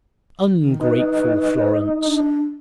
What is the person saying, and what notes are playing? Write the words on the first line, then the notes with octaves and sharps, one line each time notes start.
Ungrateful Florence!
D#3
D#4 B4
D4